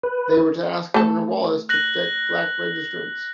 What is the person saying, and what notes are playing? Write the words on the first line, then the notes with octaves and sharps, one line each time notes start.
They were to ask Governor Wallace to protect black registrants.
B4
A3 A4
F#6 A#6 F#7